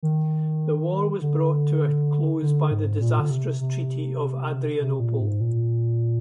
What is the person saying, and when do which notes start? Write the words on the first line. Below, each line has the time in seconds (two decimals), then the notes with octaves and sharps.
The war was brought to a close by the disastrous Treaty of Adrianople.
0.03 D#3
1.21 D3
2.42 D3
2.71 G#2
3.01 A#2
3.20 D3
3.31 C3
3.61 C3
4.81 C3
5.00 A#2
5.20 G#2
5.41 A#2